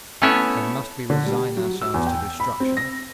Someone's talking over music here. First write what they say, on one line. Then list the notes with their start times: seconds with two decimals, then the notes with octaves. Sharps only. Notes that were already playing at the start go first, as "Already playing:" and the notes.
"Then must we resign ourselves to destruction?"
0.22 A3 B3 C#4 E4 C#5
1.10 D3
1.26 G3
1.57 F#3
1.81 E6
1.94 E2
2.07 G5
2.40 B5
2.60 C4
2.77 A#6